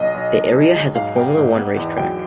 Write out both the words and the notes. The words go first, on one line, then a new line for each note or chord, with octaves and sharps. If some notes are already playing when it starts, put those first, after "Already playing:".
The area has a Formula One racetrack.
Already playing: B1 D#5
B1
B1
B1
G#3
G#2 F5
B3 G5
G#2
B3
E2
F#3 G5